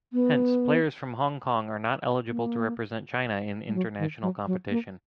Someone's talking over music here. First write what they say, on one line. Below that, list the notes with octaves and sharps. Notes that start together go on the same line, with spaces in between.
Hence, players from Hong Kong are not eligible to represent China in international competition.
B3
A#3
G#3
F#3
D#3
F#3
F#3
A#3